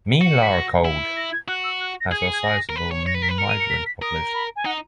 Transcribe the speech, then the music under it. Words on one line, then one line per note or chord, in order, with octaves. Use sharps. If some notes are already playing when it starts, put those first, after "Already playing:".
Melarcode has a sizable migrant population.
F#4 C#7
C#7
B6
A#6
E4
A#6
G#6
F#4 F#6
E6
F#6
A#6
G#4 G#6
C#7
G#6
A#6
A#4
B4
C#5
C#5 A#6
B4
A#4 B6
B4
A#4 C#7
D#7
C#7
B6
B6
A#4 D#6
B5
G#5
D#4 F#5